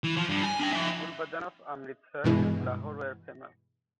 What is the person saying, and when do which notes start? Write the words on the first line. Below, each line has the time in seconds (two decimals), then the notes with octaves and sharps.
Gulbadan of Amritsar and Lahore were famous.
0.04 E3
0.17 F3
0.29 G2
0.44 G#5
0.60 D4 G5
0.73 F3 E5
2.24 G2 B2 E3 G#3